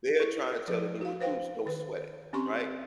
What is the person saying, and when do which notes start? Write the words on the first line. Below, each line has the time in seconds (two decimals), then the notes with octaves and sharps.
They're trying to tell the new recruits, "Don't sweat it," right,
0.20 E4
0.68 F3 B4
1.01 F#4 F5
1.21 B4 C5 F5 G5
1.66 D#3 B4
2.33 C4 C#4 G4 C6 C#6